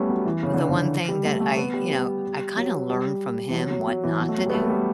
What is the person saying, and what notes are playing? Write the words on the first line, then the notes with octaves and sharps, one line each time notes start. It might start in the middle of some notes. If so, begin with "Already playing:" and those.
the one thing that I you know, I kinda learned from him what not to do
Already playing: G3 A3 B3 C#4
F#3
E3
C#3
D3
C#3
D3
G3
A3
A3
B3
G3
G3
F#3
G3
E3
F#3
F#3
F#3
E3
F#3
A3
F#3
G3 B3
A3
G3